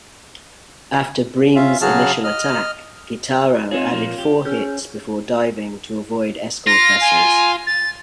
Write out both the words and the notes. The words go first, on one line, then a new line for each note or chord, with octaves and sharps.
After "Bream"'s initial attack, "Guitarro" added four hits before diving to avoid escort vessels.
C#4 F4 E5 F5
C#3 F#3 F#4 G#4 A5 F6
D#5 F6
C4 D#4 F4 G#4 C#5
A#2 F3 A#3
G4
C#4 G#4 F6 G6
F4 A#6
G#5
A6